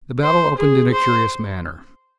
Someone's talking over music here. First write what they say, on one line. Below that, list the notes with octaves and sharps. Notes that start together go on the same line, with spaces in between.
The battle opened in a curious manner.
C5
G#4
C5